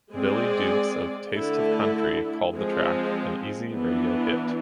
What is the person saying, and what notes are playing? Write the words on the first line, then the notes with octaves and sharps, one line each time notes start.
Billy Dukes of "Taste of Country" called the track an "easy radio hit".
G#3 C4 G#4 D5
D3 A3 E4 A4
F3 G#3 C4 G#4
E3 B3 D4